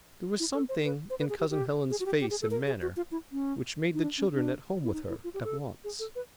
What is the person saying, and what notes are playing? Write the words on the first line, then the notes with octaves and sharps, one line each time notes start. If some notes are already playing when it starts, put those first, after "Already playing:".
There was something in Cousin Helen's face and manner, which made the children at home with her at once.
E4
A4
C5
B4
C5
B4
G#4
G4
G4
G#4
F#4
G4
G4
G#4
A4
A#4
G#4
F#4
F4
E4
C#4
D#4
D4
C#4
D4
E4
D#4
E4
F4
G4
A4
G#4
A4
B4